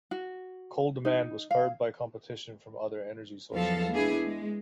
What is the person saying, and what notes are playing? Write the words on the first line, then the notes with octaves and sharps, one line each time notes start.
Coal demand was curbed by competition from other energy sources.
F#4
D#4
F5
E2 F3 F#3 A4 F5
G#3 B3 D4 E4 G#4
G#3